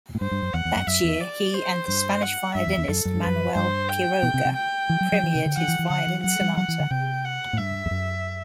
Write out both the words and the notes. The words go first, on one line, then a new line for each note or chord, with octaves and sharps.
That year he and the Spanish violinist Manuel Quiroga premiered his Violin Sonata.
A2
G2 C5
G2
F#2
E2 F#5
E2
F#2
F#2 E5
E2
D5
C5
G2 C5
F#5
G2 E5
E2
E2
F#2 A4
F#2
G2
F#2 B4
G2 C5
G5
B2
C3
C3
G5
E3
F#3
F#3
E3
C3
D3
E3 F#5
E3
E3
D3 F#5
E3
F#3 F#5
G3
F#3 F#5
E3
D3
C3 G5
F#5
A2
G2 E5
E2
F#2